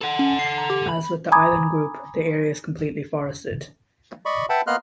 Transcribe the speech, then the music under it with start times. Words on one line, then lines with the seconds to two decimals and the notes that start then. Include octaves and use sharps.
As with the island group, the area is completely forested.
0.01 A4 F#5
0.19 C#4
0.39 C7
0.58 A#5
0.70 G4
0.89 B5
1.32 G#5 A#5 B5 D6 D#6 G#6
4.26 D5 D#5 B5 C#6
4.49 B4 E5 F#5 G5 A5 B5
4.67 A#3 B3 D#5 C6 F6 F#6